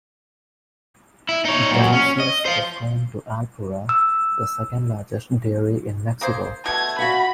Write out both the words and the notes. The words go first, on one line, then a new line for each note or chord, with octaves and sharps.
Delicias is home to Alpura, the second largest dairy in Mexico.
E4
D#4 C#5
A#2 F#3
C#4
D#5
C5 F5
E6
A#3 G#4 C5
B2 D3 A3 G#6
F#4 F5 F#5 B5